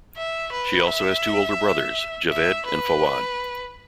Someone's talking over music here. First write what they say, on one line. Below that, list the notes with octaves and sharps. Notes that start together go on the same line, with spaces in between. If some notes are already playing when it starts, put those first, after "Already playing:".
She also has two older brothers, Javed and Fawad.
E5
B4
E5
E5
B4